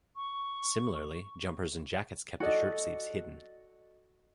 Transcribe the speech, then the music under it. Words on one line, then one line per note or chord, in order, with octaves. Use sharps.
Similarly, jumpers and jackets kept the shirtsleeves hidden.
C#6
F#4 A4 D5 D#5